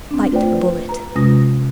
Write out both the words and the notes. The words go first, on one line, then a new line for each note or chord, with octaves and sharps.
Bite the bullet.
C4 D4
A3 F4 B4 C5 D5 G5
B4 A#5
C3 G#3 C#4 F4 D#6 A#6